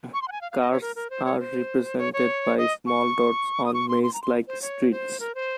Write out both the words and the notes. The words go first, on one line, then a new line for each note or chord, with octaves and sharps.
Cars are represented by small dots on maze-like streets.
C#6
C6
F#5
G#5
F5
F5
D#5
C#5
A#4
A#4
C5
C#5
C5
C#5
C#5
D#5
C#6
D#6
C#6
C6
C6
A#5
C6
C5
C#5
C5
A#4
C5